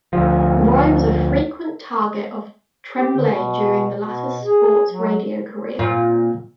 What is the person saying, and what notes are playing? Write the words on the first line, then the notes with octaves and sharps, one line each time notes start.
Roy was a frequent target of Tremblay during the latter's sports radio career.
D2 F3
G4
D3
B2
B2
G#4
F#3
A#2 C4 F4